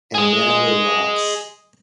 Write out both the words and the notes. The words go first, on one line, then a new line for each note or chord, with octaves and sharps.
And Manilow rocks.
G#4 D#5